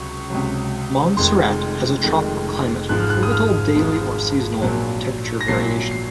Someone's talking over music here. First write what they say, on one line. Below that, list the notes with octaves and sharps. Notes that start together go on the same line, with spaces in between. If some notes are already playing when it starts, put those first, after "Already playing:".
Montserrat has a tropical climate, with little daily or seasonal temperature variation.
Already playing: C#2 C3 F#3 C#6
C#2 C3 F#3
F1 F2 D#3 G#3 C6
F1 F2 D#3 G#3
G#1 G#2 F3 G#3 F#6
F6
F#6
D#6
F6
G#1 G#2 F3 G#3
A#1 A#2 F#3
A#6
A#1 A#2 F#3 C7
C7